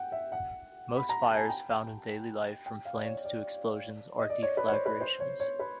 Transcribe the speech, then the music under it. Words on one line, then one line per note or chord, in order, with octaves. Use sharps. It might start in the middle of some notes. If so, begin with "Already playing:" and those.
Most "fires" found in daily life, from flames to explosions, are deflagrations.
Already playing: F#5 G5
E5
F#5
B5
A#5
A5
G#5
G5
G5
F5
D5
C#5
D5
D#5
D5
C#5
B4
C#5
C5
B4
C5
C#5
C#5
B4